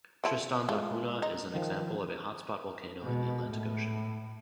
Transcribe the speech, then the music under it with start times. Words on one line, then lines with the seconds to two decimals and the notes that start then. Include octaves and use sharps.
Tristan da Cunha is an example of a hotspot volcano in the Atlantic Ocean.
0.24 F3 E4 A4
0.69 G#3 A3 F4
1.22 D#4
1.54 D#3 F3
3.01 B2 G#3
3.48 A2